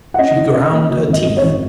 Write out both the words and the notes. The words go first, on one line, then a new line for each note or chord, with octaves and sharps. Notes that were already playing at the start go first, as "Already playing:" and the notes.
She ground her teeth.
F#5
C#4 D#5
D#3
C#4 D#5
A#3
F#3
G#1
D#5
F#2
C#5
G#1